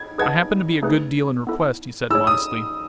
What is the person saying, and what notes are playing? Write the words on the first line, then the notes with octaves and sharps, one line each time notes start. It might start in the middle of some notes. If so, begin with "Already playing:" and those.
"I happen to be a good deal in request," he said modestly.
Already playing: G#6
G#4 B4 D#5 F#5 A5 G#6
A3 D#4 G#4 B4
B3 E4 A4
E4 G#4 C#5 E6
D#6